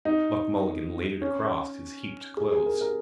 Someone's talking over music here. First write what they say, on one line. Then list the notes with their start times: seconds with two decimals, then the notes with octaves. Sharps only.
Buck Mulligan laid it across his heaped clothes.
0.05 D#4
1.21 C#4
2.37 G#4
2.51 G#4
2.66 A#4
2.81 A#4